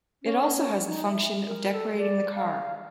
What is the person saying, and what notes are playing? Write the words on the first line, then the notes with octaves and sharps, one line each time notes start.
It also has the function of decorating the car.
C#4
D#4
E5
A#4
A4
D5
F5